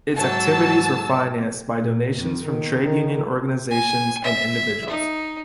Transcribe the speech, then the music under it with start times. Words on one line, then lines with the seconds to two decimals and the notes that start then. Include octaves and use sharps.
Its activities were financed by donations from trade union organizations and individuals.
0.17 G#2 F#3 A5 E6
1.78 A#2
2.17 F2
2.46 D#3
2.83 D#3
3.71 G#5
4.24 E5
4.89 D#4